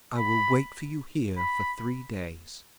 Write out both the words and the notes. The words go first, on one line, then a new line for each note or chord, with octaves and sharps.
I will wait for you here for three days.'
B5
B5